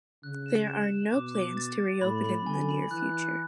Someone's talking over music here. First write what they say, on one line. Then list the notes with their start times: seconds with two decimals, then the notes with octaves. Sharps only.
There are no plans to reopen in the near future.
0.23 C#3 F#6
0.46 E7
0.68 E7
0.90 E7
1.13 B2 D6
1.35 D6
1.57 A6
1.79 A6
2.01 A2 B5
2.24 B5
2.46 D3 G#5
2.69 B5
2.91 E3 F#6
3.14 F#6